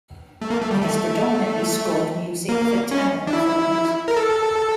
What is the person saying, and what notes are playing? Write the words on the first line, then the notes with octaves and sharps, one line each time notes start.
He has predominantly scored music for Tamil films.
A3
A#3
A3
G3
A3
A#3
C#4
D4
E4
A#4
A4